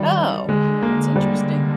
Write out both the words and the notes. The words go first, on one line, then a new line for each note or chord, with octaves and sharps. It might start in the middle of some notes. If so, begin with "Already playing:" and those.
Oh, that's interesting.
Already playing: D#3 F#3 G3
D3 G#3
A#3
G3